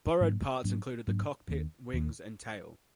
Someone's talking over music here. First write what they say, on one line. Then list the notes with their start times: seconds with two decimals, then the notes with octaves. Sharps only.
Borrowed parts included the cockpit, wings, and tail.
0.21 G#2 F#3 A#3 D4
0.64 G#2 F#3 A#3 D4
1.08 G#2 F#3 A#3 D4
1.50 D#2 D#3 A#3 D4
1.93 D#2 D#3 A#3 D4